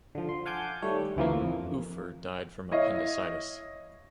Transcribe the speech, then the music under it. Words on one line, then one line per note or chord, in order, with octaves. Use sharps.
Ufer died from appendicitis.
D3 F3
C6
F5 F#5 G#5 A5 D6 G6
D#3 G3 A3 C#5
D2 E3 F3 A#3
F2
E4 C#5 D#5 F5